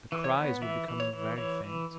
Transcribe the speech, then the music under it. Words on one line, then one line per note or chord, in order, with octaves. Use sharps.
The cries were becoming very faint.
E3
C#5
B3
E3 E5
E3
C#5
E3
E3 C#5
E3